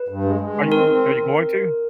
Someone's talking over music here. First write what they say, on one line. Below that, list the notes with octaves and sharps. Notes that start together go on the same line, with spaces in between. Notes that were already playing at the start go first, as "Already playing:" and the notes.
Are you are you going to?
Already playing: B4
G2
G#3
G#3
D#3
C4 A#4
C4